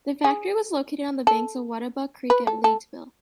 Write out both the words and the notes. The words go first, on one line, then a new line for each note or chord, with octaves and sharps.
The factory was located on the banks of Webatuck Creek at Leedsville.
G#4
A4
B4
A4
A4